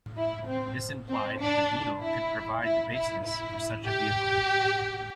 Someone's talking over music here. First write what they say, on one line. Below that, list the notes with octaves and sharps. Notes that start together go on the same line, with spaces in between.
This implied that the Beetle could provide the basis for such a vehicle.
E4
C4
C4
D4
E4
E4
E4
E4
G4